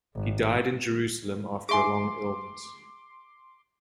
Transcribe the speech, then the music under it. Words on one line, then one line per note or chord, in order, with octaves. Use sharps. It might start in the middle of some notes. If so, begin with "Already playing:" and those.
He died in Jerusalem after a long illness.
G#1
G#4 E5 G#5 C6 D6